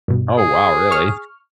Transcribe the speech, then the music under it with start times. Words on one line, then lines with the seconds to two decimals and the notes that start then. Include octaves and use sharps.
Oh, wow, really?
0.08 G2 B2
0.38 G#4
0.91 C#6 F6